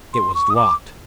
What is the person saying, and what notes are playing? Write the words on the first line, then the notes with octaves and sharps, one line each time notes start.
It was locked.
C6
C#6
D#6
D6